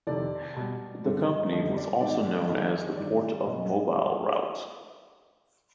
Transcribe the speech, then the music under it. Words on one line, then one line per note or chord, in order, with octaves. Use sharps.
The company was also known as the Port of Mobile Route.
F2 C3 D#3 D5
B2 G3
G2 D3 G3
F2 D3 G3 D#5
D5
G#2 D#3 G3 D5
F2 D#3 G3
G2 D#3 G3 D5
B2 G3 D#5